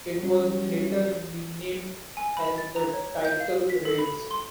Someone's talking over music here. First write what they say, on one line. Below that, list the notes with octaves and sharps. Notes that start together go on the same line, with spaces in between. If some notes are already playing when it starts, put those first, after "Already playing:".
It was later renamed as the title reads.
F#3 G3 C#4
G#5
B5
A6
A#5
C#5
G6
F5
B6
A4
B5
C6